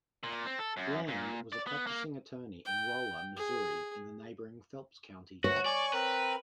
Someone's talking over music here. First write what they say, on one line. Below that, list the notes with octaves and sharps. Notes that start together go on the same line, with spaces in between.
Bland was a practicing attorney in Rolla, Missouri in neighboring Phelps County.
A#2
C4
A4
F#2
A#2
D5
B3
A#3
G5
G#4
D2 F#4 C#5
D5 G#5 C#6
C4 A#4 B4